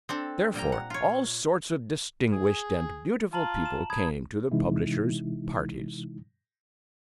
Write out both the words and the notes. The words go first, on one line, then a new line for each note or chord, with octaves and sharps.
Therefore, all sorts of distinguished and beautiful people came to the publisher's "parties."
C4 D4 A4
A#2 G3 G5 A#5
F#5
F4 C#5
G#4
F4 A5 A#5 F#7
E7
B5 D#6 G#6
C3 E3 G#3 D#4 E4